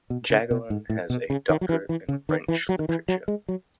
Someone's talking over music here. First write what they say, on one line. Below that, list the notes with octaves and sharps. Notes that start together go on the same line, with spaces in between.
Jacqueline has a doctorate in French Literature.
B2
C#3
B2
G#2
A2
B2
C#3
D#3
F#3
E3
E3
C#3
D#3
E3
F#3
D#3
E3
F#3
G#3
F#3